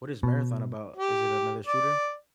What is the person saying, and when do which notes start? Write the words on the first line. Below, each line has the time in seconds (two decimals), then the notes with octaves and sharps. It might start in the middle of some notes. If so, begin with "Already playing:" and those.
What is Marathon about? Is it another shooter?
0.23 B2
0.96 G4
1.67 D5